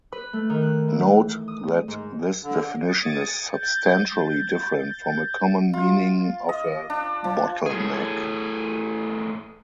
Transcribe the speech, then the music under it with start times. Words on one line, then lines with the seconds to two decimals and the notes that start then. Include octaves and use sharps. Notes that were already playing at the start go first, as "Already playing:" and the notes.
Note that this definition is substantially different from a common meaning of a "bottleneck".
0.12 B4
0.33 A3
0.50 D#3
0.62 F#6
0.88 E3
1.48 D#6
1.88 G#2
2.43 D3
2.87 D#6 G#6 A6 C#7 D7
3.52 G6 A6
5.73 F4
6.49 D#5
6.90 D4
7.24 F3
7.66 A2 G#4